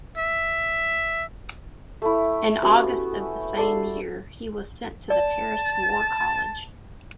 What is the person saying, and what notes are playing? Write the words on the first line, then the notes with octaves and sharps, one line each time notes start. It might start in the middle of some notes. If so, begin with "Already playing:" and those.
In August of the same year he was sent to the Paris War College.
E5
A3 E4
B3 C#4 F#4 G4
A4 D5 C6
D5 A5